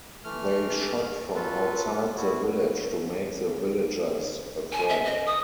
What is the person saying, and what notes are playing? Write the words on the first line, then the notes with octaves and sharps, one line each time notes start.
They shot from outside the village to make the villagers afraid.
E3 A3 F6
F#3 F4 A4 B4
E4 F#4
G#5
E5
D#5
D#6